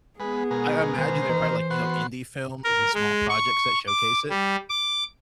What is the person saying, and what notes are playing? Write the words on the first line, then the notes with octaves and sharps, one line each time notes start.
I I imagine they're probably like, you know, indie films and small projects that showcase it,
G#3 B3 G#4 B4
B2 G#3 A#4
D#3 C5
D#3 E3 A#3 A#4
B3 F#4 C6
A#4
G#3
C#6
D6
G3
D6